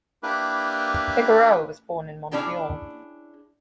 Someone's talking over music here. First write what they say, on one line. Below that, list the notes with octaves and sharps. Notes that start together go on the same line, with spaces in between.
Figueroa was born in Montreal.
A#3 D4 E4 G4 B4
C#4 D4 E4 G#4 G5